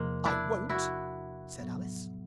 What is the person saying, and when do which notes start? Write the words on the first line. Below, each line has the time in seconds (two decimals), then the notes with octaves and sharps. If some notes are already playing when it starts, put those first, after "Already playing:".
'I won't!' said Alice.
Already playing: E2 C3 F3 G#3 A#3
0.25 D4 E4
0.69 E4 F#4
1.59 A2 F#3 B3